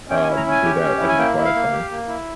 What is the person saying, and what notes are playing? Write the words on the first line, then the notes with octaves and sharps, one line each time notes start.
um, do that as my quiet time,
C#4 G5
G#5
E4
A#5
C#4 G#5
G4
C#4
E4
G#5
A#3 G5
E4
F5
A#3
G4
A#3
E4